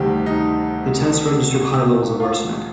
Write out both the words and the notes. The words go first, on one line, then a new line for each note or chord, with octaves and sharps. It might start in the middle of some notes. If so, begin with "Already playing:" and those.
The test registered high levels of arsenic.
Already playing: D2 C3 D#3 G3 G4
D#4
F4